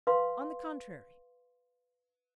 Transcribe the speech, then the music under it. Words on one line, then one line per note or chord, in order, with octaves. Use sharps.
On the contrary.
B4 F5 C6